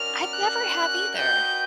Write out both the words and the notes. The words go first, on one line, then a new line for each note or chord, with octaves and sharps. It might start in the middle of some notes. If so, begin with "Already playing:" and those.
I've never have either.
Already playing: C#4 F#4 A#4 D5 F6
F#6
F#4 B4 D#5 G5 G6